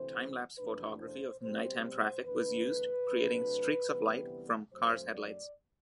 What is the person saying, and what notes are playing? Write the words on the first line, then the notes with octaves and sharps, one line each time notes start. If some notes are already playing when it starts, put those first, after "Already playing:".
Time-lapse photography of night-time traffic was used, creating streaks of light from cars' headlights.
Already playing: D2 C3 E3 A3 C4 C5
E2 B2 A3 D4 B4
C5
B2 G3 C4 C5
C5
E2 D3 A3 D4 B4
C3 F#3 A3 D4
D2 C3 E3 G3 B3
F#2 F#3 A3 C5
D5